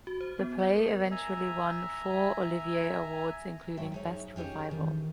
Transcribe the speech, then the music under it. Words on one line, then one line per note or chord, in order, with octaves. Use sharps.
The play eventually won four Olivier Awards including Best Revival.
F#4
C5
B3
D5
A#4
D#5
E5 G#5 A#5
G#2 F#3 G#3 E5 G5 A5
D#4 G#4 C#5
C#4 D#4 F4 G4 G#4
D#3 E3